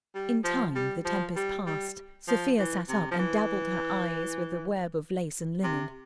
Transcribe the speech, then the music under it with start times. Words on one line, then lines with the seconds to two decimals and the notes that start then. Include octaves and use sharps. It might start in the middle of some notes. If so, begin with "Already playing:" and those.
In time the tempest passed, Sofia sat up and dabbled her eyes with a web of lace and linen.
0.15 G3
0.44 F3
0.75 G3
1.05 F3
1.36 G3
1.66 G3
2.28 F3
2.58 E3
2.88 C3
3.11 F3
3.19 E3
5.63 C3